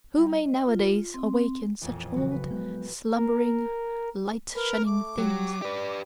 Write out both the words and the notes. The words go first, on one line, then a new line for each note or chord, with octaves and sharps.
Who may nowadays awaken such old slumbering, light-shunning things!
G3
D#5
F4
C4
A1 F2 A#2
C#3 E3 F#3 F#4
B4
F#3 G#3 B3 F#6 G6
A#4
A#4 B4
A3 D6
F#3 G4
G4 B4 D5